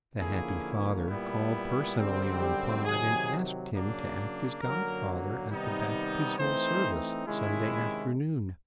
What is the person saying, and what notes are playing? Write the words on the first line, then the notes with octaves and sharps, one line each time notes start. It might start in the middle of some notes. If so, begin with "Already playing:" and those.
The happy father called personally on Pod and asked him to act as godfather at the baptismal service, Sunday afternoon.
D3 F3 A#3 C#4 E4 G#4
A#2 G3 B3 E4
F#2 D3 G3 C4
G4
C3 D#3 F#3 G#4
C#3 F#3 A#3 D4
F#2 D3 F#3 A#3 A#4
C3 D#3 G3 B3 D#4
E3 A3 C4 D#4 C5
C3 D#3 G#3 C#4 E4